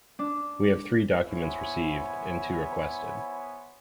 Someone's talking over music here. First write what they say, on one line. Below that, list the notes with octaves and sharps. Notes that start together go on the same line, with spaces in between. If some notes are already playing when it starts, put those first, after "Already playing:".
We have three documents received and two requested.
D4
B3 E4 C5 C#5 G#5